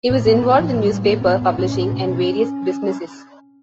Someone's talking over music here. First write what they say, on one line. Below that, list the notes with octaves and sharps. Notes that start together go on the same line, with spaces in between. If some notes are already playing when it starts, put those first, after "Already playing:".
He was involved in newspaper publishing and various businesses.
A2
A2 B3
A2
A2 F3
A2
G3
A2
A#3
A2
C4
A2 B3
A2
A2 C#4
A2
B2
B2